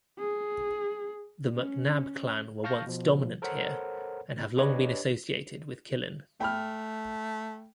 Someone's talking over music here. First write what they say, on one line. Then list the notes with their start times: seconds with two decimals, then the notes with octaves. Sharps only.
The MacNab Clan were once dominant here, and have long been associated with Killin.
0.20 G#4
1.56 C#4
2.64 F5 A5 C#6 F6 G6 A#6
2.86 B2 F3
3.42 A4 A#4 C5 C#5 F#5
4.57 D4 G4 B4 C#5 D#5
6.40 A3 G5 B5 F6